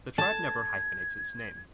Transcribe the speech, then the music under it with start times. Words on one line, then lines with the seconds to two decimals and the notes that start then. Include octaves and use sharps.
The tribe never hyphenates its name.
0.18 A5 G#6